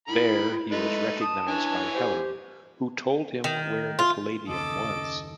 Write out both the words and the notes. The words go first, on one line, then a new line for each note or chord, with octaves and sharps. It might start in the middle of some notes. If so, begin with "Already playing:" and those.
There he was recognized by Helen, who told him where the Palladium was.
D#3 E4 B5
G#3 A3 D#4 B4
A5 D#6
E3 D4 C#5 G#5
G4 C5
D#3
F4
F#1 D#2 C#3 A4 D#5 D6